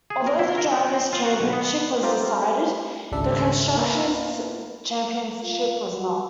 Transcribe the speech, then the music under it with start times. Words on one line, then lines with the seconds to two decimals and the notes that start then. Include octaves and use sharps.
Although the Drivers' Championship was decided, the Constructors' Championship was not.
0.10 G#4
0.27 A#4
0.39 E4
0.58 A#4
0.72 B3
0.93 C4
1.13 F4
1.25 F#4
1.40 B1
1.53 B3
1.65 B3
2.02 A3 C4 F4 G4 A#4
3.12 G#1 C#2 G3 D4 A4 E5
3.77 A#3 B3 E4 F4 A#4
5.43 F4
5.94 F#4